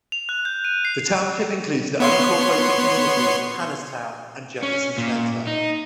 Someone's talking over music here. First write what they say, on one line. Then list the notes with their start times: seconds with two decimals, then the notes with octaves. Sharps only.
The township includes the unincorporated communities of Hannahstown and Jefferson Center.
0.12 F7
0.29 F#6
0.45 G6
0.65 D#7
0.85 C7
2.00 B3 C#5 C6
4.63 C#4
4.98 A#2
5.47 D#4